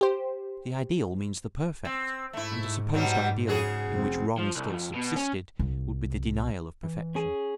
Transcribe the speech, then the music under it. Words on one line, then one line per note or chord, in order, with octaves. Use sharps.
The ideal means the perfect, and a supposed ideal in which wrong still subsisted would be the denial of perfection.
G4 C5
C4
G#2 A3 E4
B2 F#3 G3
C#3 F#4 G#4
F1 C4
F3
C2
F2
B2
C#4
C2
E3
C#4 G#4